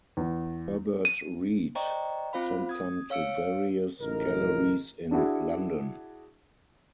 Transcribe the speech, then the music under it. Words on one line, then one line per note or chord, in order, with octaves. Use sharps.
Herbert Read sent some to various galleries in London.
E2
D#7
C5 D5 D#5 G5 A#5 C#6
C4 F4 C5 F5 B5
D#6 G#6
C#5 F5 E6 C#7 D7
A1 C#3 D#4 A#4
D4 E4 F#4 G#4